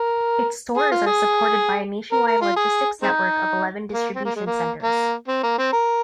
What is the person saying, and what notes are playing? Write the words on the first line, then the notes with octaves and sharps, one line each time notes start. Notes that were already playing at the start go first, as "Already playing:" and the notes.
Its stores are supported by a nationwide logistics network of eleven distribution centers.
Already playing: A#4
G#4
F4
G#4
A#4
A#4
F4
G#4
G#3 C4 D#4
A#3
C4
A#3
G#3
A#3
A#3
C4
A#3
C4
A#4